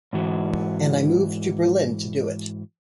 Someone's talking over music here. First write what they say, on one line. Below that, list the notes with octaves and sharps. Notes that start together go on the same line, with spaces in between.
And I moved to Berlin to do it.
G#2 E3 F#4